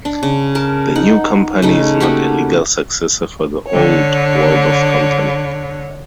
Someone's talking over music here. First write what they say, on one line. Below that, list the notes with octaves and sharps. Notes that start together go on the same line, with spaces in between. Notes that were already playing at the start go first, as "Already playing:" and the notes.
The new company is not a legal successor for the old Waldorf company.
D4
C#3
A#4 A5
D#4 F#5
C#3 A3 D#4
A3 A#3 F#4 G4
D3 C#5